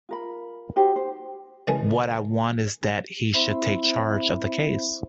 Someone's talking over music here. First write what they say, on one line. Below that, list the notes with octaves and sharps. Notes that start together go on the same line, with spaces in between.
What I want is that he should take charge of the case.
F4 A#4 B5
D#4 F#4 G4 C5
C5
C#3 E3 G#3 A#3 G#4 A4
C4 E4 C5 E5 B5